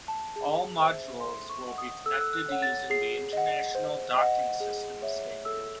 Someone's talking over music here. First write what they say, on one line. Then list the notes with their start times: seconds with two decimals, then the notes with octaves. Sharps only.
All modules will be connected using the International Docking System Standard.
0.08 A5
0.36 G#4 A5
0.79 C5 E5
1.20 A4 C6
1.50 C#6
1.63 D#5 F#5
1.78 D#6
2.06 A4 E6
2.13 F#6
2.21 E6
2.33 F#6
2.49 C#5 F#5
2.62 A6
2.90 G#4 C7
3.33 D#5 F#5
3.75 C5
4.18 D#5 F#5
4.60 G#4
5.02 C#5 E5
5.45 A4 E6